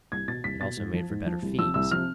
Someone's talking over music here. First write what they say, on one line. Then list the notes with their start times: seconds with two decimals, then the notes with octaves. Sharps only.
It also made for better fees.
0.12 C2 G#6
0.28 B2 A6
0.44 C2 B6
0.61 B2 A6
0.77 G#2
0.93 F3
1.10 G#2
1.26 F3
1.42 C2
1.58 C3 F3 E6
1.74 C2 E6
1.91 C3 F3 F6